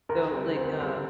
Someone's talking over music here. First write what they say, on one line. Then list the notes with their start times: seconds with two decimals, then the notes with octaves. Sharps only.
So, like, uh,
0.09 D2 A#4
0.33 D3 G3 C4
0.56 D2 C5
0.80 D3 G3 C4